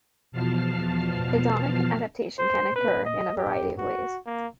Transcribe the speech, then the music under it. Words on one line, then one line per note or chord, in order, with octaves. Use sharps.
Hedonic adaptation can occur in a variety of ways.
E2 B2 F3 A5 F6 C7
C5
B4
D#5
G4
F#4
A#3